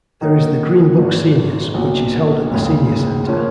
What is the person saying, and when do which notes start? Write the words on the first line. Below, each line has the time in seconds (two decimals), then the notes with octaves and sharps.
There is the Green Brook Seniors, which is held at the Senior Center.
0.21 D#3 A#3 D#4 F#4 C#5
0.98 G#1 G#2 F#3
1.74 B1 A#2 F#3 B3
2.50 F1 D#2 C#3 G#3
3.27 F3 A#3 C#4 F4